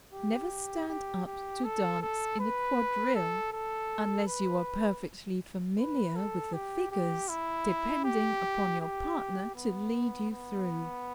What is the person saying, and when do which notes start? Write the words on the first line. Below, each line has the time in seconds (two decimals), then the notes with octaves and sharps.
Never stand up to dance in a quadrille, unless you are perfectly familiar with the figures, depending upon your partner to lead you through.
0.13 G4
0.89 G4
1.26 G4
1.64 A4
2.02 A4
2.40 B4
3.15 A4
3.53 A4
4.27 B4
5.79 B4
6.16 A4
6.54 G4
6.91 G4
7.29 E4
8.04 G4
8.81 G4
9.55 B3
10.31 B3